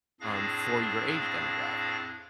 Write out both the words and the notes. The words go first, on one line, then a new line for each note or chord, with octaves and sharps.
um, for your age demographic.
F2 A2 D4 G#4 F5 A#6